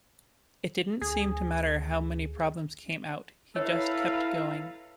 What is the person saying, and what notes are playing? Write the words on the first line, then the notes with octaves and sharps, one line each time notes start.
It didn't seem to matter how many problems came out, he just kept going.
D2 G#4
E4 A4 B4 C#5 F5 A#5